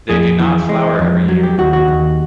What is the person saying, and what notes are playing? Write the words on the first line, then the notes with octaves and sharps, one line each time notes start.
They do not flower every year.
F2 G#4
E3
G#3
F2
F#3
G4
D#2 F#4
F#4
D#2